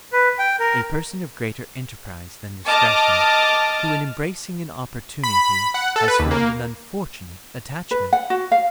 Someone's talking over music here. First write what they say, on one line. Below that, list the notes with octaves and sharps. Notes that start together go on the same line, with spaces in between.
A person of greater enterprise than discretion, who in embracing an opportunity has formed an unfortunate attachment.
B4
G5
A#4
D#5 A5 D6 F6
B5
B5
F#5
A4
B4
D#2
A#3
B4
F#5
F#4
F5